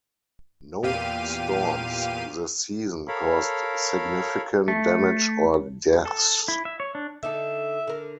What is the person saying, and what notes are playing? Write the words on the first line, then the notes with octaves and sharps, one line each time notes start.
No storms this season caused significant damage or deaths.
E2 A#2 G4 F5 D#7
A4 A#4 C#5 F5 B5
A3
A4
E4
E5
C#5
D4
D3 D#4 A4 E5
D3 A#4